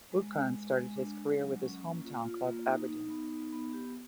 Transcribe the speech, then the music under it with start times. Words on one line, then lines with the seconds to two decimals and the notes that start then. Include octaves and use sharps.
Buchan started his career with his home town club, Aberdeen.
0.12 G#3
0.33 G#3
0.54 G#3
0.75 G#3
0.97 D4
1.17 G#3
1.39 F#3
1.61 C#4
1.82 A#3
2.03 F4
2.24 F4
2.46 A#3
2.66 D#4
2.88 D#4
3.10 B3
3.30 D#4
3.53 B3
3.73 G4